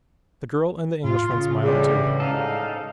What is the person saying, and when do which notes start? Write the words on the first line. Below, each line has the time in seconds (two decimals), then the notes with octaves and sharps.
The girl and the Englishman smiled too.
1.04 A2 F4
1.30 C#3
1.64 D3 E3 G3 G#4 C#5
2.20 G#2 D#4 A4 F5